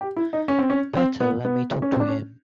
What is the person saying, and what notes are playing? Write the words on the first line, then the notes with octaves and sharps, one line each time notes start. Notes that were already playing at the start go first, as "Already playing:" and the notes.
Better let me talk to him.
G4
E4
D#4
C#4
C4
C#4
C4
B3
B3
C#4
C4
D4
C#4